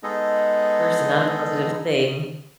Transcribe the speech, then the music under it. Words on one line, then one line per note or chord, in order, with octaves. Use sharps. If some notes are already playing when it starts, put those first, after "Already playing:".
person, not a positive thing.
G#3 B3 D#4 G#4 A4 D#5